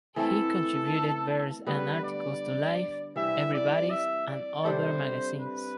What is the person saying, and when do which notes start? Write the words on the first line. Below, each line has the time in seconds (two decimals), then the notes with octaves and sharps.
He contributed verse and articles to "Life", "Everybody's", and other magazines.
0.16 E3 A3 C4 A4
1.67 D3 G3 B3 B4
2.03 D5
3.16 C3 E3 G3 E5
3.54 D5
3.90 E5
4.28 D5
4.64 C3 G3 D4 A4 C5
5.39 B4